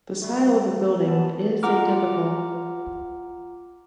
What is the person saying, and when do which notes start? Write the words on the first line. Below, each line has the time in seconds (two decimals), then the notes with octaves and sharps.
The style of the building is atypical.
0.22 G3 A3
1.04 F3 F#3 B3 A5
1.63 F4 F#5 A#5 D6 F6